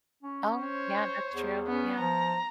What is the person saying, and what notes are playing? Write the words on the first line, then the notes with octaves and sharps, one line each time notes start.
Oh, yeah, that's true. Yeah.
C#4
C5 C#5
E2
B3 C#4
F3 A#5